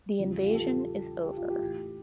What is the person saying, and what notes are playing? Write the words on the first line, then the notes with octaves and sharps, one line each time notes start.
The invasion is over.
E2 C#3 E3 F3
G3
F4
G4
A4
G4
F4
G4
A2 E3